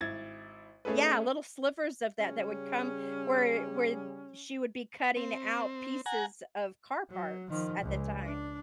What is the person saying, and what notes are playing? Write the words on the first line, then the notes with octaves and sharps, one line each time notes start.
Yeah, little slivers of that that would come where where she would be cutting out pieces of car parts at the time.
G#1 E4 G#6 A6
A3 C#4 G#4 A4 B4
C#3 G3 C#4 G#4
C4
F#5 G#5 A#5
F#3
D#3 F3
C#2
D4